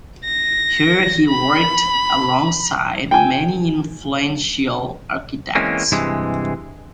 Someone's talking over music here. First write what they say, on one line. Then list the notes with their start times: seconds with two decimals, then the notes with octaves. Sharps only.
Here he worked alongside many influential architects.
0.25 A#6
1.29 B5
3.11 G5 G#5
5.55 E3 G#3 A#3 C4 C#4
5.92 G2 C3 E3 G#3